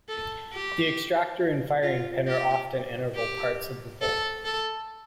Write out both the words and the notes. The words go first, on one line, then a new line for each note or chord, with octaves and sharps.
The extractor and firing pin are often integral parts of the bolt.
A4
G4
F4
G4
G4
A4
A4